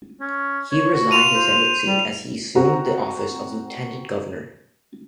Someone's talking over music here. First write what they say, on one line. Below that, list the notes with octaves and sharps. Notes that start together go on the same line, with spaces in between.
He resigned his Senate seat as he assumed the office of lieutenant governor.
C#4
C#5
F#4
F4 D#7 F7
C5
G3
C4 F#4 A#5